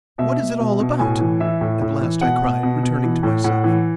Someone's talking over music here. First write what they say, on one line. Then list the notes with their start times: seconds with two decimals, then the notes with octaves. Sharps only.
"What is it all about?" at last I cried, returning to myself.
0.18 B2 E5
0.39 B2
0.60 B2
0.80 B2
0.99 A2 G#5
1.20 E3
1.40 E3 E5
1.61 A2
1.81 A2
2.01 E3
2.21 B2 F#5
2.42 B2
2.63 B2
2.83 B2
3.04 E3
3.23 A2
3.44 A2 F#5
3.64 E3